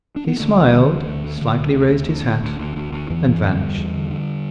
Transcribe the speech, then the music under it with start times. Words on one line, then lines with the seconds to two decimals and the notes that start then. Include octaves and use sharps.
He smiled, slightly raised his hat, and vanished.
0.16 D4
0.27 B3
0.40 D3 A3
0.57 D2
0.74 D3
0.90 D2
1.06 D2
1.24 D3
1.41 D3
1.58 D2
1.74 D2
1.91 D2
2.09 D2
2.25 D3
2.43 D2
2.59 D2
2.76 D2
2.92 D2
3.10 E2 E3
3.27 E2
3.43 D3 G3
3.60 E2
3.78 E2
3.95 D3
4.10 D3